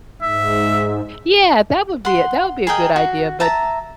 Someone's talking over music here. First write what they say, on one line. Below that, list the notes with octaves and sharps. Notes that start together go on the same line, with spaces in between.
Yeah, that would be that would be a good idea, but
G#2 E5
F#5 C6
G#4 A#4 D#5 G5
F#4
E5 A5 A#5